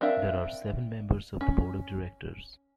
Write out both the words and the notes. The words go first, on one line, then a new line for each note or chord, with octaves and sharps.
There are seven members of the board of directors.
C4 D4 A#4 E5 F5
C#4